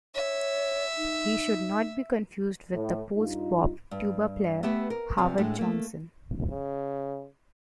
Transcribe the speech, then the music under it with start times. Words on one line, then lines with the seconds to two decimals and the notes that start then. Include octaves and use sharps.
He should not be confused with the post-bop tuba player, Howard Johnson.
0.15 C#5 E5
0.97 D#4
2.73 A2
3.17 G2 D#4 F4
3.91 G2
4.63 A3 B3 G4 B4 E5
4.90 A#4
5.17 E2 C3 F3
5.38 A2 G#3 A3 D4
5.58 A3 A#3
6.51 C#3